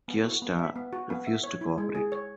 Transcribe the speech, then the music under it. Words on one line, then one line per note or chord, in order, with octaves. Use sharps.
Cuesta refused to co-operate.
B3
F#4
B3
E5
B3
F#4
B3
E5
C#5
E4
G#3
G#4
C#5